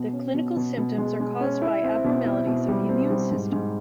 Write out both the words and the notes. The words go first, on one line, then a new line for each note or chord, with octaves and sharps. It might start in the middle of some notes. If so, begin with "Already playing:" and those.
The clinical symptoms are caused by abnormalities of the immune system.
Already playing: B2
C#4
B2
B2
B2
G#3
G#3
C#4
E4
C4
B2
E4
B2
G3
C4
G3
G#2
G#2